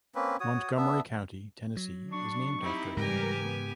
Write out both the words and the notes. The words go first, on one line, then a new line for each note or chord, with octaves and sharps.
Montgomery County, Tennessee is named after him.
A#3 C4 C#4 B4
F#4 C#5 D#6
B3 D4 E5
F#3
D4 C#6
C4 D#4 E4 G4
G#2 C#3 E3 G3 G4 A#4 G#5
B3